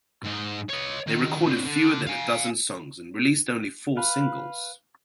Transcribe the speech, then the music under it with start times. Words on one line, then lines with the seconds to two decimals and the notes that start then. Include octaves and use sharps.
They recorded fewer than a dozen songs and released only four singles.
0.24 G#2 D#5
0.69 C#5 D#5
1.07 D3 D#3
1.46 C4 D4
1.65 D3
2.07 F5 G#5
3.97 B4 F5